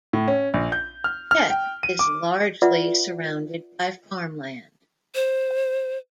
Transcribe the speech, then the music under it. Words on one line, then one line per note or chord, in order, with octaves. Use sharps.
Hett is largely surrounded by farmland.
A2
C#4
A#1
G6
F6
F6
G5
D#7
D6
F4 B4 D5 E5 F#5
C5